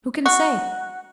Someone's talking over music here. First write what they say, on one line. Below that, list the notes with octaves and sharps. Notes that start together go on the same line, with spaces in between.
Who can say?
F#4